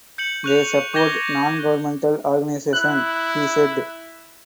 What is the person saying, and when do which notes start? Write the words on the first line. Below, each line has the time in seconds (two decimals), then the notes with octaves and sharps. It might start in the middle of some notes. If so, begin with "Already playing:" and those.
They support nongovernmental organizations, he said.
0.18 G6 C#7 F#7
0.44 C#6 F#6 F7
0.93 C#6 D6 G6 G#6 A#6 G7
2.73 E4 F#6